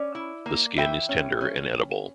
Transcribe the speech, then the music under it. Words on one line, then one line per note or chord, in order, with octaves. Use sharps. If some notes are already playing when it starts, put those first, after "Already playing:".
The skin is tender and edible.
Already playing: C#4 D5
E4
A#3
E3 E5 G5
C#4
C#4